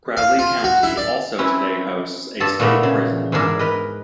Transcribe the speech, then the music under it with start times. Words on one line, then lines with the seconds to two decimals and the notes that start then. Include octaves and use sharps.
Crowley County also today hosts a state prison.
0.17 F5
0.39 F4
0.64 F#4
0.83 E4
0.97 D5
1.38 C4 C#4 E4 B4
2.40 G2 A4 A5
2.60 A#2 A3 B3
2.83 C#3
3.32 E2 G#2 D4 G#4 A#4 E5
3.59 A#4 B4 D#5